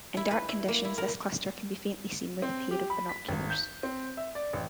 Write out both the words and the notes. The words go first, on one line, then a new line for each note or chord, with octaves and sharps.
In dark conditions this cluster can be faintly seen with a pair of binoculars.
E4
B4
E4
A#3
E4
A#4
C4
G4
B5
B6
G#1
G6
C4
E5
D5
A1